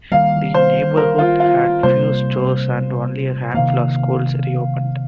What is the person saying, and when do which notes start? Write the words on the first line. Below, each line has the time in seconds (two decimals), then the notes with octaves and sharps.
The neighborhood had few stores and only a handful of schools reopened.
0.12 D#3 G3 A#3 F5
0.54 C5
0.97 A#4
1.19 F4
1.40 F4
1.83 C3 G3 A#3 C5
3.54 C3 D#3 A#3 F5